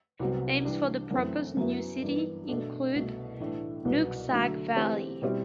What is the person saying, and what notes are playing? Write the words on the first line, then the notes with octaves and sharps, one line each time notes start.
Names for the proposed new city include "Nooksack Valley".
C2 C3 F#3 B3 F#4
E3 G3 D4
F#2 E3 A3 C4
F#2 F#3 B3 E4
G2 E3 B3
B2 A3 D4 A4
C2 B2 A3
A2 E3 A3 D4
C2 B2 F#3 B3
D3 F#3 A3
E3 A3 C4 G4
B2 G3 C4 E4 G4